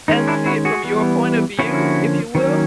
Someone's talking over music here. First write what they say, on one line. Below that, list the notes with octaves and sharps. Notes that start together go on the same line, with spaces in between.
and see it from your point of view, if you will.
D#3 G#3 C#4 D#4
D4 E4
E4 F#4
F#4 G#4
E3 G3 B3
D3 F3 A#3 C#4 E4 F#4
D#3 F#3 A#3 C#4